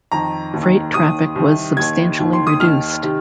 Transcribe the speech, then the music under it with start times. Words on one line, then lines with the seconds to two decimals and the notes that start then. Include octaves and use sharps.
Freight traffic was substantially reduced.
0.12 F2 D#3 A#5
0.53 D#2 D#3
0.94 D#2 D#3 D#6
1.35 C2 C3 D#3
1.77 D#2 D#3 G#6
2.19 D#2 D#3
2.33 C6
2.47 D#6
2.60 D#2 D#3 F6
3.02 C3 D#3